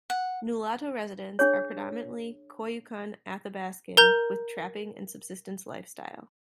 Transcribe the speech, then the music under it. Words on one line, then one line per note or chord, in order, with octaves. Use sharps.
Nulato residents are predominantly Koyukon Athabascan with trapping and subsistence lifestyle.
F#5
D4 G#4 C#5
A#4 A#5 G6